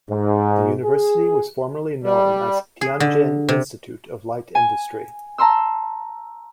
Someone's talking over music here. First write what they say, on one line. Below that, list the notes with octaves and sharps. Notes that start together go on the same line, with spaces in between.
The university was formerly known as Tianjin Institute of Light Industry.
G#2
G#4
G3
G#4
D3
C3
G#5
A5 A#5 C6 E6